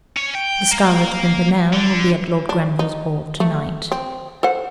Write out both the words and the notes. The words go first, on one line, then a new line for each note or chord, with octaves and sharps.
The Scarlet Pimpernel will be at Lord Grenville's ball to-night.
C#4
G5
A#3
D3
D4
D#4
A3
C4
A4 C5 F#5